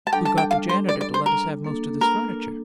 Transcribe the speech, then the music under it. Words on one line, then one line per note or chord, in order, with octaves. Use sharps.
Who got the janitor to let us have most of this furniture?
A5
G3 D4 A4 G5
A5
G5
F5
C5
D5
D5
C5
A#4
A#3 D4 A4
A#4